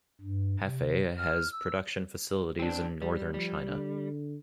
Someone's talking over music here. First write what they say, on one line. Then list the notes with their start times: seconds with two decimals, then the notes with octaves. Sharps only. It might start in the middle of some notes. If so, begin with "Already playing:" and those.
Hafei has production facilities in Northern China.
0.21 G2
0.61 C3
1.18 F6
1.52 E6
2.59 C4 D4
3.02 G3
3.34 F3 G3
3.69 D3